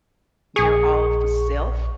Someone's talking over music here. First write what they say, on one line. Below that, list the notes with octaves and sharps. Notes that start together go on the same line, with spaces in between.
they're all for self,
A#1 G#4 C#6